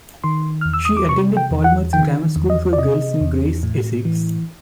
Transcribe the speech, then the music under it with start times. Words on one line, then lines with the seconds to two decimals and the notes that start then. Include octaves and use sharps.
She attended Palmer's Grammar School for Girls in Grays, Essex.
0.24 D#3 C6
0.61 E2 F6
0.73 E6
0.85 D#6
0.97 D6
1.09 C3 C#6
1.37 G5
1.51 E2
1.64 F#5
1.93 D#3 G5
2.36 E2
2.50 D#5
2.73 D5
2.78 C3 D#5
3.21 E2
3.63 A2
4.05 E3